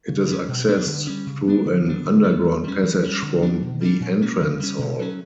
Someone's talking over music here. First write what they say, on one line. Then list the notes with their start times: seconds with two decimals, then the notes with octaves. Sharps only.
It is accessed through an underground passage from the entrance hall.
0.09 C#3
0.28 G3 C#4
0.48 B2
0.68 G3 B3 D4
0.86 D3
1.07 G3 C#4
1.27 C#3
1.46 F#3 B3 D4
1.65 D3
1.86 F#3 B3 D4
2.05 D3
2.24 B3
2.29 G3
2.44 E3
2.64 G3 C#4
2.83 E3
3.02 G3 C#4
3.22 D3
3.42 F#3 B3 D4
3.62 B2
3.81 G3 A#3 D4
4.00 A#2
4.21 A#3 C#4
4.40 C#3
4.60 G3 C#4
4.79 B2
4.99 F#3 C#4